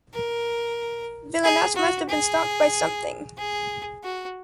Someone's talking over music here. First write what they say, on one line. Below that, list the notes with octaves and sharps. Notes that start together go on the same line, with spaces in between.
Villainess must have been stopped by something.
A#4
G#4
F#4
G#4
G#4
F#4